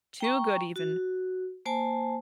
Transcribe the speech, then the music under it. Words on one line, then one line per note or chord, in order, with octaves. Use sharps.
too good, even.
G5 A#5 C#6
F#4
A#3 C5 G#5 A5